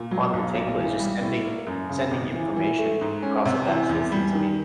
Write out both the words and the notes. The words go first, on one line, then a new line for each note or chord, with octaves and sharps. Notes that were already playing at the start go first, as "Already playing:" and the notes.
quantum entanglement. It's just sending sending information across a vast distance, I mean
Already playing: A#2
F#3
B1
B1
E3
G3
A2
A#3
F#2
C#3
G#1
E3
E3
A3
G#2
C#4
C3
E3
E2
G3
D#3